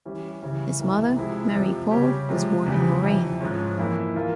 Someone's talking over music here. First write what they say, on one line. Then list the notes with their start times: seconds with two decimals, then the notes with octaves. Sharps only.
His mother, Marie-Paule, was born in Lorraine.
0.05 E3 G3 C#4
0.42 C#3 E3 G3 C#4
0.80 C2 C3 E3
1.16 C3 F3 G#3 E4 G#4
1.55 F2 C3 F3
1.91 C#3 G3 C#4 G4
2.29 C3 F3 G#3
2.66 E2 C#3 G3
3.03 F2 C3 E3
3.41 G#2 F3 G#3 C#4
3.78 F2 E3 A#3 E4
4.15 E3 A#3 F4 A#4